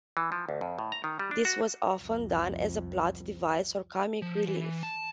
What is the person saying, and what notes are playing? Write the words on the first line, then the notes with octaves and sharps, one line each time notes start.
This was often done as a plot device or comic relief.
E3
F3
D2
F2
A2
A#5
D#3
G3
D4
F#4
C2 F2
F3
E3
A5